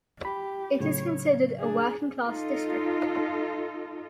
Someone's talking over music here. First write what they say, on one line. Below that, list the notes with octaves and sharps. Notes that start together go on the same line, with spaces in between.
It is considered a working class district.
G4 B5
A2 C#3 F#3 C#5
D4 G#4
D#4 F4 A4